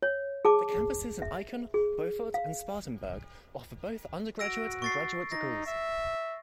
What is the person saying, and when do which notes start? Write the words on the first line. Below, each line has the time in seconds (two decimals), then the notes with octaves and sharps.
The campuses in Aiken, Beaufort and Spartanburg offer both undergraduate and graduate degrees.
0.03 C#5
0.45 G#4 A5 D6
1.22 E5
1.74 G#4
2.34 F5
4.39 F#4 E6 A#6 D7
4.82 C#6 A6 C7
5.32 D#4 A#6
5.66 E5